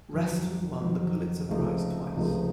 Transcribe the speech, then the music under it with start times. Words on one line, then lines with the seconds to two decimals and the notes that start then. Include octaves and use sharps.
Reston won the Pulitzer Prize twice.
0.13 F2 D#3 F#3
0.82 F2 D#3 F#3
1.49 C#2 C3 F3 A3 D#4
2.16 C#2 C3 F3 A3 D#4